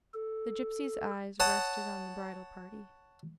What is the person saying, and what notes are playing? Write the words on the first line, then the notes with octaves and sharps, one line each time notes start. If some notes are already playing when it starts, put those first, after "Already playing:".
The gipsy's eyes rested on the bridal party....
A4
C#5 F#5 A5 D#6